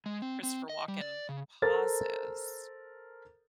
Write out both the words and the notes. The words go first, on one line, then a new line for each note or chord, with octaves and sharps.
Christopher Walken pauses,
G#3
C4
C4
D#5
G3
D5
C#3
A4 A#4 C5 A6